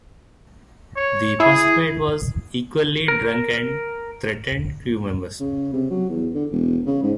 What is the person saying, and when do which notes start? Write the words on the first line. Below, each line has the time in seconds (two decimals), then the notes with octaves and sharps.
The first mate was equally drunk and threatened crew members.
0.96 C#5
1.40 E4 G#4
3.08 A#4
5.40 C#3
5.73 C3
5.90 F#3
6.09 E2
6.34 D3
6.52 E1
6.86 C#3
7.03 G#2